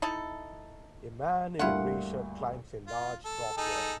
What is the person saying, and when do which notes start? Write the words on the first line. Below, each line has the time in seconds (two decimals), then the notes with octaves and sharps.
A man in a gray shirt climbs a large rock wall.
0.02 D#4 E4 A4
1.59 D2 G2 A#3 E4 F4 F#5
2.87 F4
3.25 A4
3.57 D#4 G#4 A4